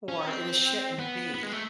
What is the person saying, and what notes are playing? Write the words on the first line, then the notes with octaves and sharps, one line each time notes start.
or it, uh, shouldn't be.
C#4
C4
B3
B3
G#3
A3